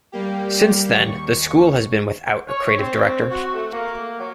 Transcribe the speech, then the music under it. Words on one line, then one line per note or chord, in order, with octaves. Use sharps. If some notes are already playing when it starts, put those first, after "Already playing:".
Since then the school has been without a creative director.
G3 A#3 G4
D#2 C#6
C#5
C4
F#4
A3
A#3
F#3